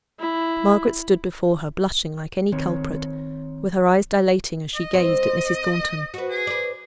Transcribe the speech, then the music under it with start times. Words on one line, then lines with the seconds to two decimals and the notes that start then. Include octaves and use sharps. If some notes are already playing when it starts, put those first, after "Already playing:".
Margaret stood before her, blushing like any culprit, with her eyes dilating as she gazed at Mrs. Thornton.
0.19 E4
2.52 D#3 C4 C#5
4.75 D#5
4.93 C4
6.14 F#4 B4
6.30 G#4
6.47 B4 D5